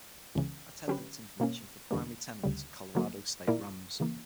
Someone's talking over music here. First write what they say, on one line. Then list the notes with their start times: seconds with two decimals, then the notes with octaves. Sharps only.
Attendance information for primary tenant, Colorado State Rams.
0.35 C#2 C#3 E3
0.88 D3 F#3 C#4 G4 B4
1.40 B2 A#3 C#4
1.91 E2 D3 G3 A#3
2.44 D2 C#3 G3
2.95 D3 F#3 A#3
3.47 A#2 A#3 E4 A#4 D5
4.00 C#3 E3 A#3